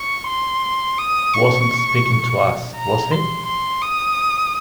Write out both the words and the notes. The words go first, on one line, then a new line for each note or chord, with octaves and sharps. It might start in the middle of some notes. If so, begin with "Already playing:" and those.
Wasn't speaking to us, was he?
Already playing: C#6
C6
D#6
C#6
A#5
C6
C6
D#6